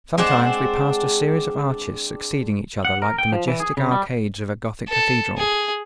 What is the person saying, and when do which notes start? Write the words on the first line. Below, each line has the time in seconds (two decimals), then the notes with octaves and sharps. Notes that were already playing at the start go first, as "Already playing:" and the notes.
Sometimes we passed a series of arches succeeding each other like the majestic arcades of a gothic cathedral.
0.18 G#3 C4 D4 F#5
2.85 F#5
3.02 A#4
3.18 G5
3.32 F3
3.48 E3
3.60 G#4
3.77 C#3
3.91 G3
4.89 A4
5.38 G#4